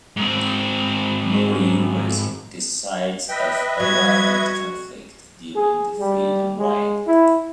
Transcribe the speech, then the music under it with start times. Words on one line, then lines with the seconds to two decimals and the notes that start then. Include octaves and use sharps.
Moree was the site of a violent conflict during the Freedom Ride.
0.17 G#2 C4
3.29 B4 D#5 E5 G5
3.80 G3 F#4 G#6
5.56 G#4
5.99 G3
6.58 G#3
7.07 E4